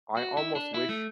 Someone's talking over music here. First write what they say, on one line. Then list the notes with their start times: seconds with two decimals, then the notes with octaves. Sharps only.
I almost wish,
0.17 F#4
0.37 E4
0.55 D4
0.74 E4
0.89 A3